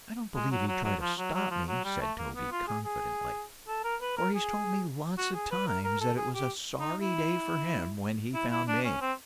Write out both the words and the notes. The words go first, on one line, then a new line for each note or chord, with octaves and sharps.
"I don't believe he'd try to stop me," said Toby, confidently; "for he's told me lots of times that it was a sorry day for him when he found me."
G#3
F#3
F#3
F#3
F3
F#3
F#3
F3
F#3
G3
A3
A#3
B3
F4
G#4
G#4
A4
A#4
B4
A#4
G#4
F#4
G#4
B4
A#4
A#4
A4
G#4
G4
D#4
E4
E4
E4
D4
C#4
C4